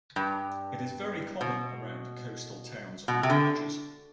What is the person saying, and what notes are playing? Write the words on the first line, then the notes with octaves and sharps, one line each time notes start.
It is very common around coastal towns and villages.
G2
B2
B2
C3
D3